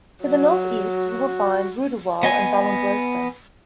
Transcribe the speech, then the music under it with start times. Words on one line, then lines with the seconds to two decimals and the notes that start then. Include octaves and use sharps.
To the north east you will find Roodewal and Vallombrosa.
0.25 F#3
0.88 F#4
2.23 B3 D#5 G#5